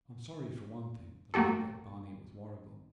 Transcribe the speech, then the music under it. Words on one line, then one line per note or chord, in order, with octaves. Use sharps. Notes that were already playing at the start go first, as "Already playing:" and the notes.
I'm sorry, for one thing, that I had that barney with Warrigal.
A3 A#3 F#4 G4 A4